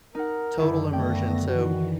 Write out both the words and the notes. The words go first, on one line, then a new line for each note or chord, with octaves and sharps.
Total immersion so,
D#4 A#4 F#5
F#2 D3 D#3 E4
A3 B3 G5 A#6
D#3 E3 F#4